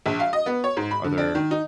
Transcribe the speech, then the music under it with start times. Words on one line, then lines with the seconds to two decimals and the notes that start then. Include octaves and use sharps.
are there
0.06 A#1
0.20 F5
0.33 D#5
0.46 B3
0.64 C#5
0.77 G#2
0.91 B5
1.04 D3
1.18 D4
1.35 D#3
1.51 D#4